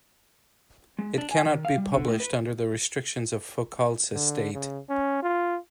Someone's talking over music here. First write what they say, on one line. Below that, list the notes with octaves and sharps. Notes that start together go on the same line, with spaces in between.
It cannot be published under the restrictions of Foucault's estate.
G#3
D4
G#5
D#3
F5
G3
D3
A2
B4
D3
C#3
C#4
F4